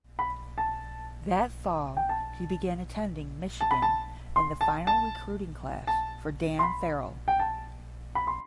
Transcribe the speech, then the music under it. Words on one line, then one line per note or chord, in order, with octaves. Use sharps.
That fall he began attending Michigan in the final recruiting class for Dan Farrell.
B5
A5
G5
A5
A5
B5
A5
C6
A5
A5
A5
C6
B5
G5
A5
B5
C6